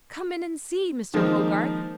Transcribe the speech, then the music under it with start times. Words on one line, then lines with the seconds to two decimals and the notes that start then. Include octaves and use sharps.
Come in and see Mr. Hogarth.
1.14 D#3 F3 G#3 A#3 C4 D#4